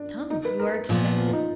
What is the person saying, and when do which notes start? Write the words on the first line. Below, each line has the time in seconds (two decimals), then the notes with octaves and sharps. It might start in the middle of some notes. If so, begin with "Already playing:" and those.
"Come, you are expected!"
Already playing: D4
0.30 D#4
0.45 B4
0.59 A#4
0.89 A#2 F3 B3
1.18 F4
1.33 D#4